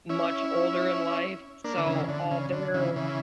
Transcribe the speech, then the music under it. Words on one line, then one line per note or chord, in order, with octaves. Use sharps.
much older in life, so all their
C#4 E4
A#3 D4
D3
C#3 E3
D3
C#3
D3
C#3 E3
C#3 E3